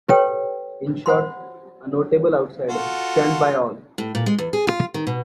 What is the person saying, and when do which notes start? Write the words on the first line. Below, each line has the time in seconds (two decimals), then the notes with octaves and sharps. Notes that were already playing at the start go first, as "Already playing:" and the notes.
In short, a notable outsider, shunned by all.
0.08 G4 A4 B4 C#5 G5
1.06 C5 F#5 B5 C6
2.69 F4 F#4 A4
3.98 A2
4.15 A#2
4.26 G#3
4.38 E2
4.53 G#4
4.67 F4
4.94 D#3
5.07 B2